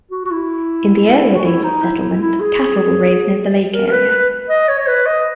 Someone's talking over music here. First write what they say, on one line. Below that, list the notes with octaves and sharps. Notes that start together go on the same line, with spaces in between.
In the earlier days of settlement, cattle were raised near the lake area.
F#4
F#4
E4
F#4
E4
D#4
E4
E4
E4
G#4
A#4
A#4
B4
B4
D#5
C#5
C#5
B4
D#5